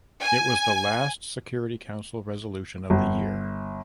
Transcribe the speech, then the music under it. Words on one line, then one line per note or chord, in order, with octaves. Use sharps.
It was the last Security Council resolution of the year.
G#5
G1